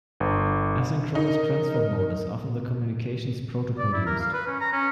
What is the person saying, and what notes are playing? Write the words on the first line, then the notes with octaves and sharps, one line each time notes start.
Asynchronous Transfer Mode is often the communications protocol used.
G1
D#4 A#4
D5
E4
A#4
F5
B4
C#4
A#5
C#4